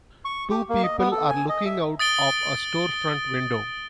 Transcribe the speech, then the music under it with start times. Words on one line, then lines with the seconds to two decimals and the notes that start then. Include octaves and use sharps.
Two people are looking out of a storefront window.
0.25 C#6
0.51 G4
0.69 A#3
0.83 D#5
0.99 B3
1.12 A4
1.30 G#5
1.49 D#5
1.66 E5
1.99 D#6 A6 D7 G7